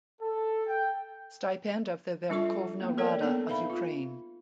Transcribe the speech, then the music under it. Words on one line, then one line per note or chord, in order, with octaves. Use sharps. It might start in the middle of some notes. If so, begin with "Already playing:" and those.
Stipend of the Verkhovna Rada of Ukraine.
A4
G5
G3 D4 F4 A4 E5 C#6
A#3 B3
A4 A#4 C#5 D5 G5
B3 D4 D#4 A4 A5 A#5
B4 E5 F5 B5
F4